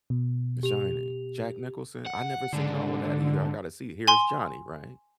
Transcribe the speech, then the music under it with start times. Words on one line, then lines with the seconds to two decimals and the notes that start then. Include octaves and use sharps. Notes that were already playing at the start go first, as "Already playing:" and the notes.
The Shining, Jack Nicholson, I never seen all of that either. I gotta see, "Here's Johnny," right?
0.10 B2
0.63 G4 F7
2.07 F#5
2.53 G#2 D3 D4
4.08 G#5 C6